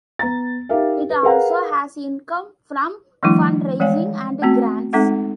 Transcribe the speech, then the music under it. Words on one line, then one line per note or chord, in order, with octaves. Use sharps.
It also has income from fundraising and grants.
B3 A#5 A6
D#4 G4 A#4 E5 F5
B4
G#4 A#4 B4 F5 F#5 A#5
D#3 F3 G3 A3 D4 E4
E3 G#3 C#5 D5 F5 G#5
A3 B3 C4 F#4
G#3 C4 D#4 A4 E5 F#5